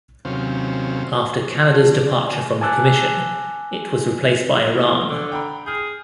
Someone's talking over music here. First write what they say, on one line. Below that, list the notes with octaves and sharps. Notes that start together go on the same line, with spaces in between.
After Canada's departure from the Commission, it was replaced by Iran.
D#2 C3 F#3 C#4 C5 F5
F3
D5
D2
C#3
G#5 A5 D6 E6 F#6
E1 A2 B3
D3
G5 A#5 B5
G#4 F6 G6